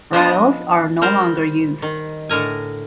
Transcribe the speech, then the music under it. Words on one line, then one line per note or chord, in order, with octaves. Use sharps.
Rattles are no longer used.
F3 B3 D4 D#5
G3 A#4 C5
D#3
A2 D3 A#4 G#5